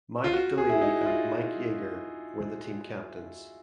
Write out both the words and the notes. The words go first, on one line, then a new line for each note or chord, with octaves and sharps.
Mike Delaney and Mike Yeager were the team captains.
F4
F#4
G#4
E4
D#4
E4
F4